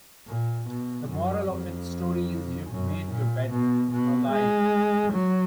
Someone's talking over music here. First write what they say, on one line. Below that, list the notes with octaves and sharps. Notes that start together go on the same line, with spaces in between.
The moral of its story is you've made your bed, now lie in it.
A#2
B2
F#2
F2
F#2
A#2
B2
B2
G#3
F#3